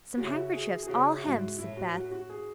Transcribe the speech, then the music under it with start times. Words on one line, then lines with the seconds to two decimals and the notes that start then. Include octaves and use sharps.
"Some handkerchiefs, all hemmed," said Beth.
0.17 C#3 F#4
0.24 E4
0.33 F#4
0.53 G#4
0.83 G#4
0.88 C#3 F#4
1.15 E4
1.24 G#2 F#4
1.58 A2 E4
1.77 F#4
1.94 F#4
2.12 F#4
2.30 G#4